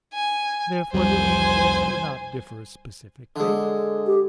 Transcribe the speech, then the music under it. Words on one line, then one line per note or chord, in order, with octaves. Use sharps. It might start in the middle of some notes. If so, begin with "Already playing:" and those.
Therefore the angels do not differ specifically.
G#5
C2 F2 G3 C5 G#5
D3 G#3
G4